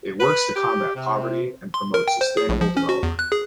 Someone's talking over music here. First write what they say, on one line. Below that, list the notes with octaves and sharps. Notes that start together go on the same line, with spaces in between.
It works to combat poverty and promote sustainable development.
B4
G4
C3
C6
A#4
G5
C5
G#4
A#1
F3
C#4
F#4
E2
F#6
G#4